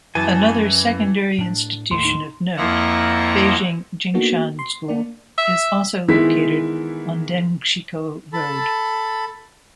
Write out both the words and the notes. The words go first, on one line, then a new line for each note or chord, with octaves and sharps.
Another secondary institution of note, Beijing Jingshan School, is also located on Dengshikou Road.
F#2 E3 G#5 A5
A2 D4
D#2 A2 D#3 C6
D#4
F2 F3 A#3 E4 F#5 A#5
A#3 B3 D4 D#4 F#4 A4
C6
A#3 D4 D5
E5
D#3 E3 G#3 B3 E4 B6
A4 A5 B5